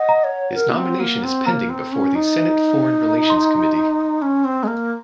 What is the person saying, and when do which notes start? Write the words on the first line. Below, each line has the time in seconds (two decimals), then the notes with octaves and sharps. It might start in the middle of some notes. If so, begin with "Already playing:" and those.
His nomination is pending before the Senate Foreign Relations Committee.
Already playing: D#5 F#5
0.09 A#5
0.24 C#5
0.55 A#4
0.71 A#3
0.77 C4
1.00 A#3
1.24 C4
1.46 A#3 A#5
1.70 C4
1.92 C#4
2.15 D#4
3.30 C6
4.22 C#4
4.45 C4
4.63 G#3
4.67 A#3